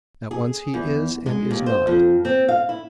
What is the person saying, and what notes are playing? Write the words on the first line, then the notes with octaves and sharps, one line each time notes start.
At once he is and is not.
G#4
E2
G#3
D#2
C5
F2
C4
F5
E4